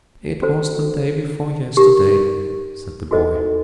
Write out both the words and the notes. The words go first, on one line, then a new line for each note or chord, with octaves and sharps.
"It was the day before yesterday," said the boy.
C#4 F#4 A4 C5
D#4 G4 A#4
D#4 F#4 A4 C5 D#5